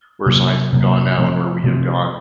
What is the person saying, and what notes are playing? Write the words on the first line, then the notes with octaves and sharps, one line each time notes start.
where science has gone now and where we have gone,
C3 F#3 A#3
C3 F#3 A#3
C3 F3 A3 C4
C3 F3 A3 C4